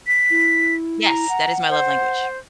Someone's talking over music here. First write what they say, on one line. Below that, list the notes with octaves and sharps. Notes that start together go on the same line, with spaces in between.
Yes. That is my love language.
B6
E4
A#5
F#5
C5